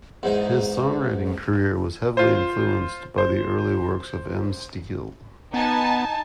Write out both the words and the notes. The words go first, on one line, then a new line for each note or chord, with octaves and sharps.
His songwriting career was heavily influenced by the early works of M-Steel.
E2 G#2 D#4
F4 C5
C5
B3 D#4 G#5 A5